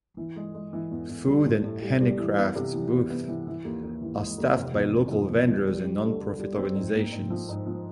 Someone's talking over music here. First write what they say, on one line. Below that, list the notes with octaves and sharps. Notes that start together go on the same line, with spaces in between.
Food and handicrafts booths are staffed by local vendors and non-profit organizations.
E3
G#3
G#3
E3
E2
E2
G3
A2
A2
G3
G3
E3
B3
C3
E3
B3
B3
E3
E3
D#2
D#2
E3
G#3
D#2
F1
E2
C#3
F3
E2
F3
G3
G3
D3
D3
G3
C4
G#2
A#3
G#2
F3
G#2
F3